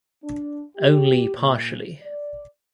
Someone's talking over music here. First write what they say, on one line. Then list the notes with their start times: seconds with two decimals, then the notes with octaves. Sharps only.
Only partially.
0.23 D4
0.77 G4
1.36 A#2
2.01 D5